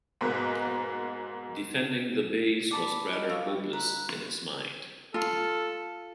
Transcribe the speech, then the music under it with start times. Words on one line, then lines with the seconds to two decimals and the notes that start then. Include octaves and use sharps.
Defending the base was rather hopeless, in his mind.
0.21 G#2 B2 A#3 B4
2.71 D5 A5 B5
3.13 G3 F4 D#5
3.30 F5 C#6 E6
3.73 B4 A#5
5.14 F4 A4